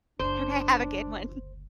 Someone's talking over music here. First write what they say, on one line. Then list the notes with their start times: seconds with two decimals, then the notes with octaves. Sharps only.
Okay, have a good one.
0.19 F#1 D2 D4 C5